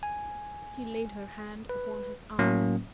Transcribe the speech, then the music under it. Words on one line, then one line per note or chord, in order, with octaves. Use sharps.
She laid her hand upon his arm.
G#5
B4
A2 F#3 A#3 C#4